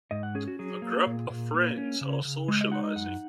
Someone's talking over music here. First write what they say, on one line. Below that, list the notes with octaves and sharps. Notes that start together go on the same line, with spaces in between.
A group of friends are socializing.
G#2 D#5
F#5
C#4 G#4
F#4
F#3 G#4
A#3
A#2
A#2
A#3
C#4
C#3
C#3
G#3
D#5
D#4 F#5
D#5
F#2 F#5